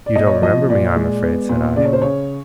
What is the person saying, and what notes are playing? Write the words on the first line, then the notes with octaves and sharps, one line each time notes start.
'You don't remember me, I am afraid,' said I.
D5
A#2 D#5
C#5
D5
F3 D#5
A#2 D5
G#3
B3
A#2
C#3 D5
C#5
C5
C#3 C#5